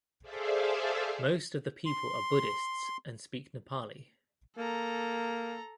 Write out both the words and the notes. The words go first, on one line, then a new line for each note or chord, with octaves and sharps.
Most of the people are Buddhists and speak Nepali.
G#4 A4 C5 D5 E5 F5
C6
A#3 A4 A#5